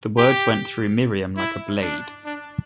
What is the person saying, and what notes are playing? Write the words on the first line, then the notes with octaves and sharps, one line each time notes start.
The words went through Miriam like a blade.
G4
E4
D4
D4